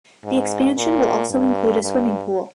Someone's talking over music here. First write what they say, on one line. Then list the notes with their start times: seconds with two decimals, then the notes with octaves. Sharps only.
The expansion will also include a swimming pool.
0.24 G#2
0.77 A#2
1.30 G2
1.82 G2